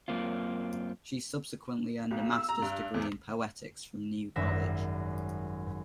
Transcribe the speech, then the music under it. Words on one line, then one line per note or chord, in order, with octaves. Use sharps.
She subsequently earned a master's degree in Poetics from New College.
F#2 A#3 C4 F4
B1
E6
A#5
G2
E2
G#1 F#2 G3 E5 A#6